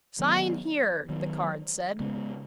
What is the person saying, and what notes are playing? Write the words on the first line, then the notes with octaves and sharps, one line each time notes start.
Sign here, the card said.
D#3 F#3 B3
D#3 F#3 B3
C#3 G#3 B3